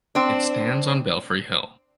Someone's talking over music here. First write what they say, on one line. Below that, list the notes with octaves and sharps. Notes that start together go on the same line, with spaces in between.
It stands on Belfry Hill.
C4 D4